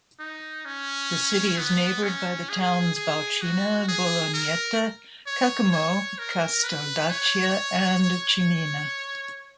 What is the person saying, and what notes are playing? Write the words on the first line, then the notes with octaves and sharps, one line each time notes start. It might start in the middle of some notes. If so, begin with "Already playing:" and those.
The city is neighbored by the towns Baucina, Bolognetta, Caccamo, Casteldaccia and Ciminna.
D#4
C#4
B3
C#4
G#4
G#4
F#4
G#4
A#4
C#5
C#5
A#4
B4
C#5
C#5